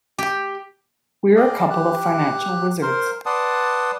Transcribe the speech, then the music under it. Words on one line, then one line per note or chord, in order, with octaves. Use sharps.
We're a couple of financial wizards.
G4
G#4 D5 D#5 F5
G4 F#6
A#4 C5 C6
B4 D5 F#5 A5 C6 D#6